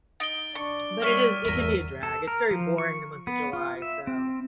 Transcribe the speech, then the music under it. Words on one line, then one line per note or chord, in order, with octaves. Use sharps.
but it is it can be a drag, it's very boring in the month of July, so
D#4 A6 D7 G7
D4 C#6
G3 C#5 E5 C#6 F6 B6 D#7
G#1 E2 A#4 E5
A4
A#4
F3
C#6
B3
F4
E5
C4